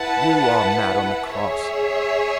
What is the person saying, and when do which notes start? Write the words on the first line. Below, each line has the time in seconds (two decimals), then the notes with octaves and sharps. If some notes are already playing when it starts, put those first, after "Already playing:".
You are mad on the cross.
Already playing: E4 B4 F#5 A5
1.30 G#4 C#5 E5